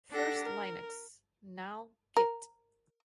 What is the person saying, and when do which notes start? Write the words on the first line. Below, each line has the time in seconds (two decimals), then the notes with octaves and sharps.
First 'Linux', now 'git'.
0.10 D4 G4 A4 F#5 A#6
0.43 A#4
2.17 A#4